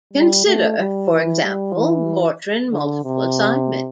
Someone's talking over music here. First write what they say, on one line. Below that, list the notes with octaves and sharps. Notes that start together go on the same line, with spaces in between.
Consider, for example, Mortran multiple assignment.
G3
A3
G3
E3
G3
E3
D3
C3